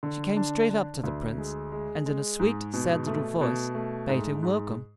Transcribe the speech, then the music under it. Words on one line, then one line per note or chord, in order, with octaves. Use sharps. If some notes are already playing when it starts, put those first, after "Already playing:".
She came straight up to the Prince, and in a sweet, sad little voice bade him welcome.
D3
D4
D4
D2
G#3
G#3
G#3
G#2
B2
A3
B2
A3
G#2
G#2